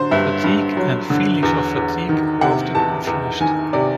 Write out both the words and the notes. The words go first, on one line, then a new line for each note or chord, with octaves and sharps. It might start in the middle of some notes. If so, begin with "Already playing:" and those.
Fatigue and 'feelings of fatigue' are often confused.
Already playing: D3 F#3 C5
G2 E5
G2
F#3
D3
E2
E2
D#3
C3 F#5
E2 A5
E2
D#3 G#5
C3 D5